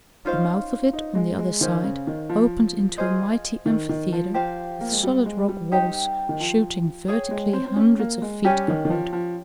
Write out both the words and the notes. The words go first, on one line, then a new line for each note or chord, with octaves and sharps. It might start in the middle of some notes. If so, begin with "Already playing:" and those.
The mouth of it on the other side opened into a mighty amphitheatre with solid rock walls shooting vertically hundreds of feet upward.
C#4 D#4 F4 C5 F5
D#4
G#3
G#3
D#3 C#4 G#4 C5 F5
C#3
D#3
F3
F4 G#4 C5 D#5
D#3
D#3
F3
F3 G4 C5 F5
A#3
G#3
G3
G#3
G3
D#4 G4 C5 G5
D#3
F3
G#4 C#5 G5
G#3
C4
C4
C#4
A#3
G#3
G3 C#4 G4 C#5 G#5
D#3
D#3
F3
F3